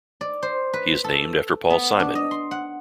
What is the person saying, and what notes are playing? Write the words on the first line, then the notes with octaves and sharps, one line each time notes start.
He is named after Paul Simon.
D5
C5
B4
A4
B3
D4
D#5
C6
F#5